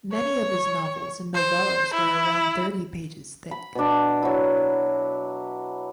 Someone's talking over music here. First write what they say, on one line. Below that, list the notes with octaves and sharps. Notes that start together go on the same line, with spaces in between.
Many of his novels and novellas were around thirty pages thick.
C#5
C5
E4
B5
B2 D4
F#3 E4